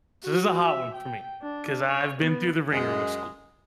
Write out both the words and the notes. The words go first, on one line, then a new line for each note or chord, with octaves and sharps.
So this is a hot one for me 'cause I've been through the ringer with school.
F#4
E5
G5
D4
C#5
B3
F#2 G#3